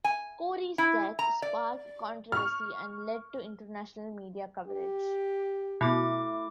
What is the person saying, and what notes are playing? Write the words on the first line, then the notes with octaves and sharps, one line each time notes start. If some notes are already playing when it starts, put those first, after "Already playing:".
Corrie's death sparked controversy and led to international media coverage.
G#5
E4
A#5
D5
C#6 F6
G4
B2 A3 E4 D6